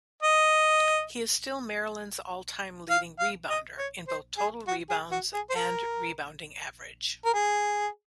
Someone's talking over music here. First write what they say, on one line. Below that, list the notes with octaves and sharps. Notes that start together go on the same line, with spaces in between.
He is still Maryland's all-time leading rebounder, in both total rebounds and rebounding average.
D#5
F5
F5
D#5
C#5
C5
G#4
F#4
G#4
F#4
G#4
C5
A#4
A#4
G#4